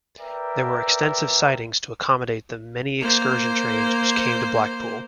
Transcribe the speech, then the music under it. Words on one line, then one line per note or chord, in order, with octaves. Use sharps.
There were extensive sidings to accommodate the many excursion trains which came to Blackpool.
A#4 B4 D5 E5 G5
A#3 C5